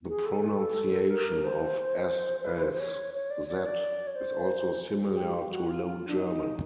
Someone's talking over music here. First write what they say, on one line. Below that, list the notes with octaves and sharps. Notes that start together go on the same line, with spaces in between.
The pronunciation of "s" as "z" is also similar to Low German.
G#4
A4
A#4
C5
C5
B4
B4
C5
C5
C#5
C#5
D5
D5
C#5
D5
C#5
C5
G#4
G4
F#4
F4
F4
D4
D#4